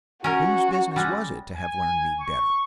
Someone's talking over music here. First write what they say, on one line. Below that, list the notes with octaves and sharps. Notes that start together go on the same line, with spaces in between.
Whose business was it to have learned me better?
C#4 F#4 A#4
G3 G#3
G#5
C#6